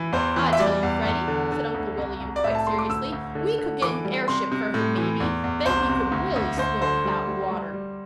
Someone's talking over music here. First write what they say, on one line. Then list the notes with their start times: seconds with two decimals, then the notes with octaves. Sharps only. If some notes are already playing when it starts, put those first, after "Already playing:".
"I tell you, Freddie," said Uncle William, quite seriously: "we could get an airship for him maybe; then he could really swim without water."
Already playing: E3
0.12 E2 C5
0.36 E3
0.53 E5
0.60 G3 D5
0.83 E2
1.05 E2
1.28 D3
1.52 D3
1.74 D2
1.98 C2
2.20 C2
2.36 D5
2.44 A2 E5
2.55 A5
2.67 A3 C6
2.79 D6
2.90 D2 E6
3.12 D2
3.35 D3
3.59 D3
3.81 E3 D6
4.05 G3
4.28 C3 C6
4.52 C3
4.74 A2
4.97 E3
5.20 E2
5.44 E2
5.66 C2 C5
5.89 C3
6.12 D2
6.36 D2
6.58 D2 C5
6.81 D3 C5
7.05 G3
7.27 G3
7.50 G3
7.73 G3